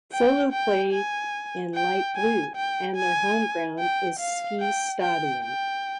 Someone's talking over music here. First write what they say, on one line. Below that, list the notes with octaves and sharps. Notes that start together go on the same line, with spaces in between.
Follo play in light blue, and their home ground is Ski stadion.
G5
G5
G#5
G5
G#5
G5
G#5
G5
F5
G5
G5
G5